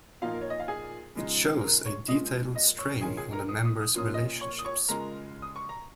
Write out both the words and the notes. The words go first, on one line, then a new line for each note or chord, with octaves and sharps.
It shows a detailed strain on the members relationships.
A#2 F3 A#3 D#4 F4 F5
A#4
C#5
D#5
F5
G#4 G#5
C#3 F3 G#3 D#4
A#4 A#5
C#5 C#6
A#2 G#3 F4 D#5 D#6
D#5 D#6
C#5 C#6
D#3 C#4 F4 G#4 G#5
G#4 G#5
A#4 A#5
D#6
D#6
D#6
A#2 F3 A#3 C#4 F4 D#6
D#5 D#6
C#5 C#6
D#6
C#5 C#6
C#3 G#3 F4 A#4 A#5
D#6
C#6
A#5